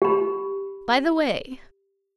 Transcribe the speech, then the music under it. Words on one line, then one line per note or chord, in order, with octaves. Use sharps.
"By the way!"
G4 B5